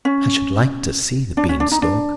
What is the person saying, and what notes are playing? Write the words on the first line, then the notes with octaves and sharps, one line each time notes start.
"I should like to see the bean-stalk."
C#4
D4
C#4
D4
D#4
D4